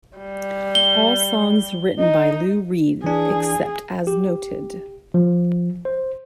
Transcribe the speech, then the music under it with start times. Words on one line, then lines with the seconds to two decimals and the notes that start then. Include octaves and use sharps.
All songs written by Lou Reed except as noted.
0.17 G3
0.75 G7
1.98 D#4 D#5
3.04 E3 D4 G#4
4.07 G4
5.14 F3
5.85 C5